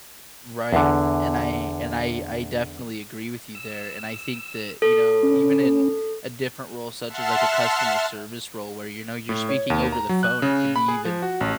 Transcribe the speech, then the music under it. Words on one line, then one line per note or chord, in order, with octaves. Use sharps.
Right. And I and I I definitely agree with you there, and I think that, you know, even in a different role such as, like, a customer service role where, you know, you're speaking over the phone, it could be even,
E2 D3
E6
A4
C#4
E5 F#5 A5 C6 F6
A2
C#5
D#2
A#5
F#3
F#6
C#3
B5
G#4
F3
F#4
A1